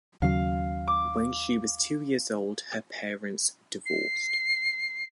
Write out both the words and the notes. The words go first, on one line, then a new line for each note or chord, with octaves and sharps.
When she was two years old her parents divorced.
D#2 C#3 F#3 F5
D6
C7